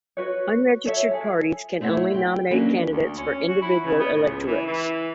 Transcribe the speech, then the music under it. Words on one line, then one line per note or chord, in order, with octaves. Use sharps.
Unregistered parties can only nominate candidates for individual electorates.
F#4 B4 C#5
A4 C#5 E5
G#4 A4
A3 C4 E4 C#5 F#5
C4 G5
E3 F#3 A#3 C#4 D4
D2
C#4
F#4
E4
C#3
B3
A2
C#2
E3
E3